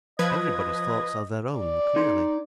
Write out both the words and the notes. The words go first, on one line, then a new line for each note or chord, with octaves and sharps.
Everybody's thoughts are their own, clearly.'
F3 B4 D#5 G#6
D5
D#4 C6